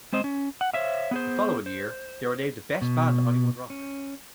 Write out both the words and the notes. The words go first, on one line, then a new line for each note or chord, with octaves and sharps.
The following year they were named the best band of Hollywood Rock.
G#3 C4 C5 D#5
C#4
F#5
C5 C#5 E5 F5
B3 G#4 C5
C5
B2
C#4